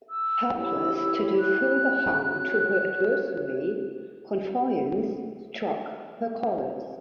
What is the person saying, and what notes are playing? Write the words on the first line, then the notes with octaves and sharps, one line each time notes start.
Helpless to do further harm to her adversary, "Confiance" struck her colors.
E6
E4 G4 C#5 E6
F#6
F#4 C#5